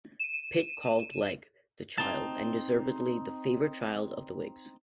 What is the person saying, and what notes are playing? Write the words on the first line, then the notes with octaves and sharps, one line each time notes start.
Pitt called Legge, the child, and deservedly the favourite child, of the Whigs.
D#7 E7
C4 D#4 A5